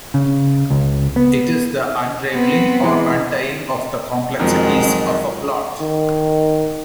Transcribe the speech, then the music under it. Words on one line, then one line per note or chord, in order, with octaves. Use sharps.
It is the unraveling or untying of the complexities of a plot.
C#3
C#2
B3
B3 C4
E3 G#3
F2 D#3 F3 F#3 G#3
D#3